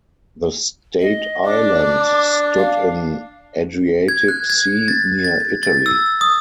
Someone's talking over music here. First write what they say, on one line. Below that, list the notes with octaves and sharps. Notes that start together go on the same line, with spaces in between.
The state island stood in Adriatic Sea near Italy.
D#5
D4 D6
F5
G#6
F#6
G#6
A6
A6
A6
E6
D#6